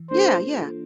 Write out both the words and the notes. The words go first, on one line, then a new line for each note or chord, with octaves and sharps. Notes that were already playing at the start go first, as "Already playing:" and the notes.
Yeah, yeah.
Already playing: E3
A#3 D4 F4 A4 C5